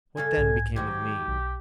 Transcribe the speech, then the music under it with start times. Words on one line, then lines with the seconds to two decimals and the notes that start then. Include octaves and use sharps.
What then became of me?
0.17 G2 C#3 A4 G#5
0.37 B1 G#2
0.76 G#2 D#3 F#3 G4 G#6
1.28 B1